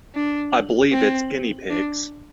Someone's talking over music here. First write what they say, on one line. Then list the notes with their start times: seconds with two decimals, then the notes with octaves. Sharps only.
I believe it's guinea-pigs.
0.15 D4
0.92 C4
1.70 D4